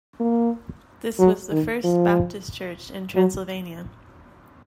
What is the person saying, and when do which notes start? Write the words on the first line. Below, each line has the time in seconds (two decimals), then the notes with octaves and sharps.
This was the first Baptist church in Transylvania.
0.20 A#3
1.18 F#3
1.51 D#3
1.84 F3
3.15 F#3